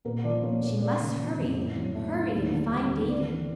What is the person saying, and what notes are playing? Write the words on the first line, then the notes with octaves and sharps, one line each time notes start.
She must hurry--hurry and find David.
A#2 A#4
F3 D5
A#3 C#5
A#2 C#5
A#3 D5
C#3
F3
F2
A2
F#3
A3
A2
D#2
D3
G3
D#2
C4 D5
E3